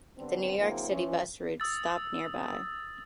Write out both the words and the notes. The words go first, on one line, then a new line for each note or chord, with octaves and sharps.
The New York City Bus routes stop nearby.
D3 G3 B3 C4
D3 F#3 A#3 C4 E4 G#4
E3 F3 C#4
D#6 E6 A6